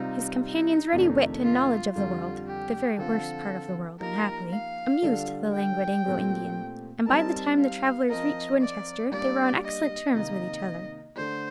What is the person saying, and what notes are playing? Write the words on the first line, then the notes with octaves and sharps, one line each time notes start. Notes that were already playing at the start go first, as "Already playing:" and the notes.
His companion's ready wit and knowledge of the world--the very worst part of the world, unhappily--amused the languid Anglo-Indian: and by the time the travellers reached Winchester, they were on excellent terms with each other.
Already playing: C3 G3 C4 D#4 F4
D#4
F2 C3 D#3 A3 D4
F4
F2 D3 G3 F4
G4
D3 F3 C4 F4 A4
F3 A#3 D#4 G4 A#4
F5
D3 G3 D4 F4 A4
G5
A#2 A3 C4 G4
G3 C4 D#4 A#4 A5
F5
F3 C4 F4 A#4 D#5
D5
G3 A#3 D4 G4 D5
D#5
C3 D#3 A#3 D#4 D#5
D3 A3 D4 C5